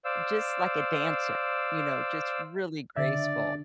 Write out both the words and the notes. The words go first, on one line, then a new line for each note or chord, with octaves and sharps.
just like a dancer. You know? Just really graceful.
C5 D5 F5 E6
D3 D5 E5